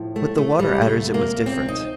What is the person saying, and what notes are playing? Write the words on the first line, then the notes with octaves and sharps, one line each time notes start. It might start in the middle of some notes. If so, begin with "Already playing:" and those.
With the Water-Adders it was different.
Already playing: A2 F3
A3
A3
G3
D2 C3 F3 A3
A#3
C4
D#4